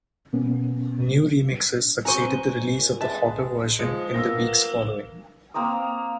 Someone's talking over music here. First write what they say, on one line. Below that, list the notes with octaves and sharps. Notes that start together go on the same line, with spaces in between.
New remixes succeeded the release of the "Hotter" version in the weeks following.
B2 A#3 B3 C#4
F#4 G#4 C5 G#5 A#5 C#6 D#7 G7
C4 B4
A#2
G#3 B4 E5 A5
F3 G#3 C#7
A#3 B3 F4 E6 A#6
A#3 C4 A#5 D#6